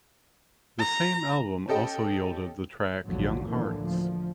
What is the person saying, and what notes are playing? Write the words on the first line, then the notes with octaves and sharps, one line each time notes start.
The same album also yielded the track "Young Hearts".
A#5
C#4 G4 A4 D#5 G5
A#1 E2 G#2 D3 F3 F#3
G#1 A2 D3 E3 F3 A#3
D2 F3